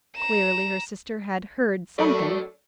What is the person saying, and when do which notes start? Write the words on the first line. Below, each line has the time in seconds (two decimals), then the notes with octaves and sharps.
Clearly her sister had heard something.
0.16 A#5 E7
1.98 F#2 A3 D5